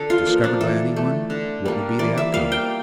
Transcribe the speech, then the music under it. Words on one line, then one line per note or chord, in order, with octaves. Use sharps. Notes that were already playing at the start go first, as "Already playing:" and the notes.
If discovered by any one, what would be the outcome?
Already playing: D3 A4
F4
F3 A#3
D4
E3 A4
A3
D3
G3 A#3
E3 D5
E5
G3 A#3 F5
G5